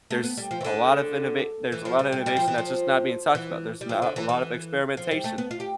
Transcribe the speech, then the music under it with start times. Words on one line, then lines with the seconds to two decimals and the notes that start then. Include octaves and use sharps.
There's a lot of innova There's a lotta innovation that's just not being talked about, there's not a lotta experimentation
0.11 A3
0.23 B3
0.37 G3
0.51 F3
0.61 E3
0.64 D3
1.72 E3
1.85 F3
1.99 G3
2.12 G3
2.26 G3
2.37 F3
2.48 E3
2.58 F3
3.35 E3
3.81 G3
3.89 F3
4.02 D3
4.16 E3
4.29 E3
4.97 F3
5.11 G3
5.24 A3
5.38 B3
5.51 F4
5.60 G4